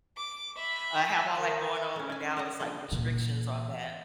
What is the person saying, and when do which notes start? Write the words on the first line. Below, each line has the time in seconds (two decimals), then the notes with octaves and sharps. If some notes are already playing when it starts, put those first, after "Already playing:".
uh, have all that going on, but now it's, like, restrictions on that.
0.17 D6
0.56 E5 B5
1.37 D#3
1.96 A3 C#4
2.10 B4 G#5
2.36 A#4 D#5 A#5
2.60 F3 A#3 B3 D4
2.92 A#2 E3